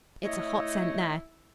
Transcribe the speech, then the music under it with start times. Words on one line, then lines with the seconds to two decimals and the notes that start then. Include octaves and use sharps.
It's a hot scent there.
0.24 A3 E4 C#5 D#5